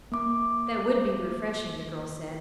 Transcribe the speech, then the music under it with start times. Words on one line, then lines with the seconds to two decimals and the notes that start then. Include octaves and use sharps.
"That would be refreshing," the girl said.
0.12 A#3 D6